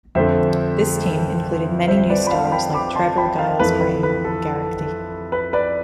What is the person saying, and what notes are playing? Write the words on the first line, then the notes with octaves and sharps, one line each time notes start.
This team included many new stars like Trevor Giles Graham Geraghty.
F2 D3 A3 C5 E5
C5 E5
B4 D5
B5
F5 A5
G5 B5
B5 D6
A5 C6
G5 B5
F5 A5
F2 E3 A3 B4
B4
B4
A4
B4
B4 D5